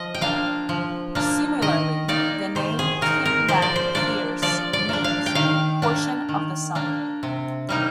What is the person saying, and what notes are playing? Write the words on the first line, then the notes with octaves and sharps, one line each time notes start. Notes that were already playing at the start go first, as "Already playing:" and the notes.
Similarly, the name "Timnath-heres" means "portion of the sun".
Already playing: F3 D#5
G5
A#3 D4 F5
F3
A#3 D4
D#3 D#5
A#3 D#4 D5
D#3 C5
G#4
A#3 D#4 A#4
A#4
F3 C5
D5
C5
A#3 D4 D5
F3 D5
D5
A#3 D4
F5
G5
D#3 F5
A#3 D4
D#3
A#3 D4
C3
G3 A#3 D#4